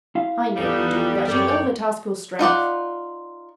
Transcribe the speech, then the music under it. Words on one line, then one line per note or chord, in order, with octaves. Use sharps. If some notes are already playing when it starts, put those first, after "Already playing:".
'I know you do, but you overtask your strength.
E4 F5
E2 G3 B3 D#4 A4
F#2 A4 C#5 D5 G5
D#4 F4 D5 F#5